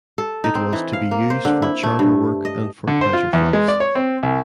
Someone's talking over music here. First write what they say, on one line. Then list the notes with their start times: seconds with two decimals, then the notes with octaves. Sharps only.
It was to be used for charter work and for pleasure flights.
0.18 A4
0.44 D#4
0.55 C4
0.73 E3
0.93 F5
1.11 A#3
1.30 C5
1.45 D3
1.62 E4
1.83 A3
1.99 G2
2.45 D#5
2.87 D3
3.01 C5
3.13 F4
3.33 E2
3.53 G#3
3.68 D5
3.80 C#5
3.95 C4
4.23 C2